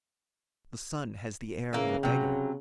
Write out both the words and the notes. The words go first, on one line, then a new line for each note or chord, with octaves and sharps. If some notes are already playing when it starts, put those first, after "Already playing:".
The sun has the air of a beggar.
C#3 E3 A#3
C3 F#3